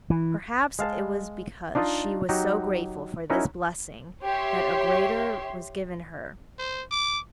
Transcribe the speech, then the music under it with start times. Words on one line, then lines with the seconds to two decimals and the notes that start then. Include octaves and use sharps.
Perhaps it was because she was so grateful for this blessing that a greater was given her.
0.10 E3
0.79 G#3 F5 A5
1.75 D4 D#4 F4 D5 D#5
2.29 F#3 D#4 F#4 G4
3.30 C#4 D#4 E4 F#4 A#4 C#5
4.25 G4 C#5 E5 C6
6.58 C5
6.91 D6